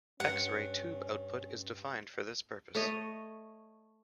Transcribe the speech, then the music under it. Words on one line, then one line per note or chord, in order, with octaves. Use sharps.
X-ray tube output is defined for this purpose.
G2 C#4 F#5
A3 C#5 D#5